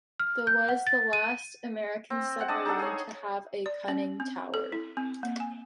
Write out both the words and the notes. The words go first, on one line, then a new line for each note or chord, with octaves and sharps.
The was the last American submarine to have a conning tower.
F6
G6
F#5
A6
D#7
C4
F#5 G#5
D4 D#5 A5
D#4 G#4 A4 F#5
G#4 C#5
D5
C#4
C4
A4
E4
C4
A#3
G#5